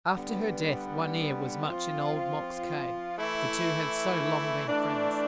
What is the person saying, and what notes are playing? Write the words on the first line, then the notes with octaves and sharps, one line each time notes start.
After her death One-Ear was much in Old Mok's cave, the two had so long been friends.
D3 G3 B3
F3 C4 F4
E3 A3 E4
E3 A3 D4